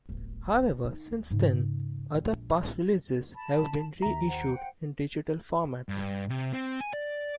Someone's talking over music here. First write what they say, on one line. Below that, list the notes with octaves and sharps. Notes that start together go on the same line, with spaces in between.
However, since then, other past releases have been reissued in digital formats.
D1 G1
D#3 D#4
D2
G#2 C#3
E1 A#1
A5 B5
D#2 E5 A#5
C5 F#5 G5
G2
C3
C4
G#5
D5